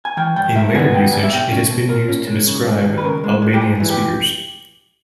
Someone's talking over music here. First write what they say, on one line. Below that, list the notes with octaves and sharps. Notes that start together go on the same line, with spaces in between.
In later usage, it has been used to describe Albanian-speakers.
G#5
E3 G5
G2 G5
G2 E5
B3 G#5
G2 G5
G3 G#5
E5
B2 G5
C#4
B2
B2 A#4
C#4
G#3
C#3
G#3
D#2
B4
C#3 A#4
G#3
G#3
G4
G#2 G#4
E3
G4